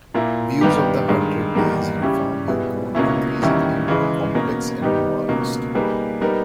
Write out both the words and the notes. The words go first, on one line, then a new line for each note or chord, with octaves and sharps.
Views of the Hundred Days' Reform have grown increasingly more complex and nuanced.
A#2 A#3 E4
G2 D#3 G3 B3 G4
G2 D#3 G#3
E2 D#3 G3 A#3
C#3 G3 C#4 E4 G4
B2 G3 B3 E4 G#4
C#2 B2 A#3 C#4 E4
E2 D#3 G3 C#4 E4
C#3 E3 G#3
B2 A#3 C#4
D#3 G3 B3 D#4 G4
C#2 B2 A#3 C#4
G3 A#3 D#4 G#4 B4
G3 B3 D#4 A#4